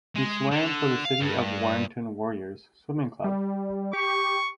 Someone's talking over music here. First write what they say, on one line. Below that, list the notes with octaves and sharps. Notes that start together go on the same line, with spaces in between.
He swan for the City of Warrington Warriors Swimming Club.
G#3
D3
F5
G2
G3
G4 C#6